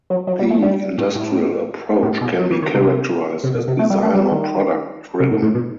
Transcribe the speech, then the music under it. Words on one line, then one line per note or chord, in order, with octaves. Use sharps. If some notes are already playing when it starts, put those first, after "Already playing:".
The industrial approach can be characterized as "design" or "product" driven.
F#3
F#3
G3
A3
G3
A2
A2
A2
B2
F#3
E3
D#3
C3
C3
B2
C3
A3
G3
A3
G3
D#3
C3
A2
A2
B2